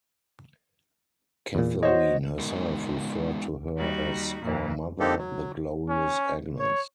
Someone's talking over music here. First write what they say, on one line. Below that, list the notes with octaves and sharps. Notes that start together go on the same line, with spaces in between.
Catherine herself referred to her as "Our mother, the glorious Agnes".
E2 A#2
F#4 C5 C#5 D#5
G#3 B3 D#4 F#4 A#4
D#2 G3 D#4 F#4
F2 A#2 E3
D3 A#3 C4 D#4 G4 A4
F#3
C#4
C#5